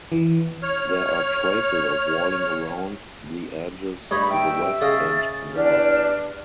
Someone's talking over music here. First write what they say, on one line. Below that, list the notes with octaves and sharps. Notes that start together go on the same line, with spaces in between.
There are traces of walling around the edges to the west and north.
E3
C#5 F6
G2 D#4 C#5 B5
E5 G5
C#3 D#5 F5 A6
E2 D4 G4 F6